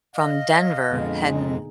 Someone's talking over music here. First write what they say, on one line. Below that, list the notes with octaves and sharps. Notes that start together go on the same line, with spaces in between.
from Denver heading
D#5 F5
F2 A#2 D3 G#3 B3
D#4 G#4